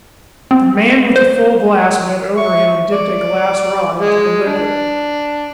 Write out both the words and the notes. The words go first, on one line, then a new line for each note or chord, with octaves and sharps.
The man with the full glass bent over him, and dipped a glass rod into the liquid.
C4
C5
E5 C#6
D5
G#3
D4